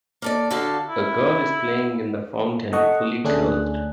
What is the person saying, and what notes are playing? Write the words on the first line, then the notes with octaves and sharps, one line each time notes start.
A girl is playing in the fountain fully clothed.
A#3 A4 D5
D3 F#4 A4 D5 F5
E4
A4 D#5 F#5 C#6
D2 A3 C#4 D4 G#4 F#6